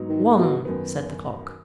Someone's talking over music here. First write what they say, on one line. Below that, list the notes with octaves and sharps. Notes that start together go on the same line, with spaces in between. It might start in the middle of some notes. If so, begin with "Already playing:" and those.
"One!" said the clock.
Already playing: G#2 F#3 B3 D#4
D#3
B2
F#2 D#3 B3